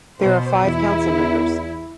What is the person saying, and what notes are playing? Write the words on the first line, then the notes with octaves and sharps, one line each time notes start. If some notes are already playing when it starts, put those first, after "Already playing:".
There are five council members.
B2 C5
E2 E4